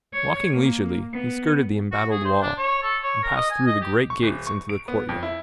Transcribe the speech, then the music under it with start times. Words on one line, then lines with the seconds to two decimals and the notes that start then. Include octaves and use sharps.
Walking leisurely, he skirted the embattled wall, and passed through the great gates into the courtyard.
0.13 C#5
0.53 A#3
1.14 B3
1.92 F#4
2.11 G#4
2.25 C5
2.42 D4
2.58 C#5
2.83 A4
3.03 C#5
3.23 A#4
3.36 D#5
3.51 G#5
3.67 D#5
3.81 G4
4.10 C#6
4.23 D1
4.47 C#6
4.69 D7
4.88 B3
5.09 F2
5.23 E4